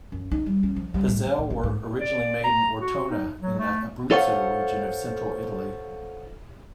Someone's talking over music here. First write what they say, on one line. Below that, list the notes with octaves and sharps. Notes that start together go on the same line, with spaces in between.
Pizzelle were originally made in Ortona, in the Abruzzo region of central Italy.
F#2
D#4
G3
C#4
F3
G3
A2
F3
A2
G1
G#2
D5
A#5
F#4
D#4
F#3
A3
F4 A4 C5 C#5 F5 F#5